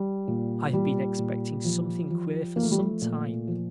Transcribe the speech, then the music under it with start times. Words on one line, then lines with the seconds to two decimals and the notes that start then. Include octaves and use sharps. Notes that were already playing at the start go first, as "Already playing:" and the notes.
I've been expecting something queer for some time.
Already playing: G3
0.28 A#2
0.73 A#2 G3
1.19 A#2
1.65 F3
2.10 F3
2.56 F3 A#3
2.63 A3
2.71 G3
2.78 A3
3.02 A#2
3.47 F3